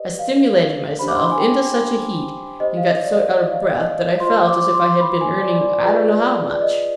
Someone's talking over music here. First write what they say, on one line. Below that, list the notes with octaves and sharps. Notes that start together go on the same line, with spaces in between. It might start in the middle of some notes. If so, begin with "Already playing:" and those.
I stimulated myself into such a heat, and got so out of breath, that I felt as if I had been earning I don't know how much.
Already playing: G4 B4 D5 D#5
F5
D4 G4 C5 B5
D6
C6
B5
G#5
G5
G4 C5 D#5
F5
D#5
D5
D#5
D#5
F5
D#5
D#5
F4 C5 C6
D6
D6
C6
B5
G#5
D5
D5
F4 G#4 B4 D5
D5
D#5